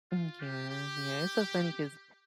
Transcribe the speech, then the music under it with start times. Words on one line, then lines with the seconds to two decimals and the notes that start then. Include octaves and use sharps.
Mm, yeah, yeah, it's so funny 'cause
0.11 F4
0.40 G4
0.70 G4